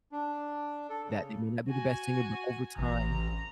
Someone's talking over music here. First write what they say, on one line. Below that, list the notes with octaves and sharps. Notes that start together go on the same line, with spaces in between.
that they may not be the best singer, but over time,
D4
A4
C#3
F#4 G#5
A1 A#5